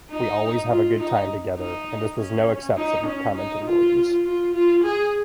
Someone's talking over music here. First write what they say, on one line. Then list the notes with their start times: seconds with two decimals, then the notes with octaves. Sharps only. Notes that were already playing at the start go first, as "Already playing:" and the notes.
We always have a good time together and this was no exception, commented Williams.
0.11 D#4
0.70 F4
1.00 D#4
1.59 D#4
2.18 C#4
2.77 D#4
3.07 C#4
3.36 D#4
3.65 F4
4.25 F4
4.54 F4
4.84 G#4